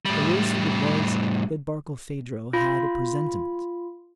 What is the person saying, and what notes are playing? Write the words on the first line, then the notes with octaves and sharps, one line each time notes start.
The worst of it was that Barkilphedro had a presentiment.
A2 G3
F4 B5